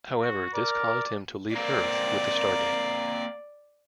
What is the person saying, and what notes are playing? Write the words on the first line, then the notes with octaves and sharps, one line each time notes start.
However, this caused him to leave Earth with the Stargate.
F#4
A#4 D5
A#3 C4 D5